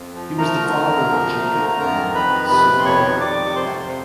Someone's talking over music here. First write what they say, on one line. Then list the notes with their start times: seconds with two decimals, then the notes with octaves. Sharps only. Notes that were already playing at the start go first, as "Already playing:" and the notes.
He was the father of Jacob and Sivert Beck.
Already playing: F2
0.15 F3
0.38 A3 A#4 A#5
0.62 D3
0.86 F2
1.09 F3
1.32 A3
1.56 D3
1.79 F2 A#4 A#5
2.03 D#3
2.15 B4 B5
2.27 F2
2.50 C3 B4 B5
2.74 F2
2.79 C6
2.85 C#5 C#6
2.97 D#3
3.20 F2 D5 D6
3.44 C3 C#6
3.56 C5 C6
3.68 F2